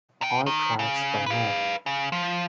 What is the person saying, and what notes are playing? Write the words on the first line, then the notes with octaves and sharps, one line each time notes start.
All tracks by moe.
C3 G5
D#3
C#3
B4 F5
C#3
F3